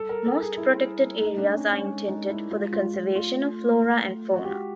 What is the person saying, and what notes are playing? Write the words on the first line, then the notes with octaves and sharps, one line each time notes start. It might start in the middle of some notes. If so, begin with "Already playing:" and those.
Most protected areas are intended for the conservation of flora and fauna.
Already playing: G3 A4
A#4
A4
G#4
E4
A3 D#4
D4
C#4
C#4
G#3
D#4
E4
G#3 F4
F4
F4
A3 F4
F#4
G#3 G4